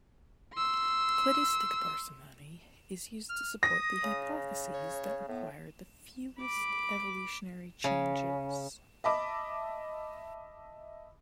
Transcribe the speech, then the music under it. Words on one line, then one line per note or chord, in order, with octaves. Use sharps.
Cladistic parsimony is used to support the hypotheses that require the fewest evolutionary changes.
C6 E6
F6
D#6 A#6
C#3
C#5
A2 B3
B5 D6
C#3
D#5 E5 A5 B5 D6